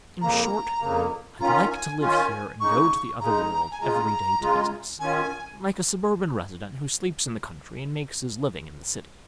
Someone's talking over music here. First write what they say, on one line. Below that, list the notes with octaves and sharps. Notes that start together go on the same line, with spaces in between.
In short, I'd like to live here and go to the other world every day to business, like a suburban resident who sleeps in the country and makes his living in the city.
F2 C#3 A#3 A#5
F2 C#3 A#3
D#3 C#4 F4 A#5
G#5
D#3 C#4 F4 G#5
C#3 G#3 D#4 C#6
C#3 G#3 D#4 A#5
G#5
C#3 G#3 F4 A#5
C#3 G#3 F4
D#3 C#4 F4 G#5